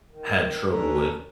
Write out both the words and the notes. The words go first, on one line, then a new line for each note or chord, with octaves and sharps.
had trouble with,
D#3
C#4 D4 A4 B4 C#5 A#5